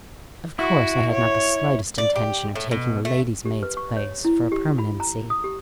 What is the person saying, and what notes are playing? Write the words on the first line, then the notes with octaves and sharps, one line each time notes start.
Of course, I had not the slightest intention of taking a lady's-maid's place for a permanency.
E4 F#4
C#5
D5
G4
A2
B2
A3
G4
B4
C#6
C#5
E4
G4
B5
A#5
D#6
G4